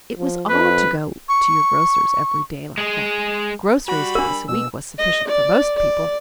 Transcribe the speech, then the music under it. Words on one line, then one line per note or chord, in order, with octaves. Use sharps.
It was odd to go to your grocer's every day like that: groceries twice a week was sufficient for most people.
F3
F2 B4
C#6
G#3 G#4
G3 F#4 B5
D4 A#4
B2 E6
D#5
D5
D5